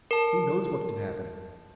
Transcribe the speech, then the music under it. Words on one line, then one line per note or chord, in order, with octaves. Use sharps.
Who knows what could happen?
A#4 A5